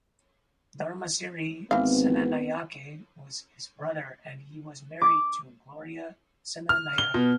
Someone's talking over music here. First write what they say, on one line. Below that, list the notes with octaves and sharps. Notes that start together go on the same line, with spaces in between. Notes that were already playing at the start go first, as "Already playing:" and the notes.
Dharmasiri Senanayake was his brother and he was married to Gloria Senanayake.
G#1 E3 B3 C4 F5
D6
F6
G7
B2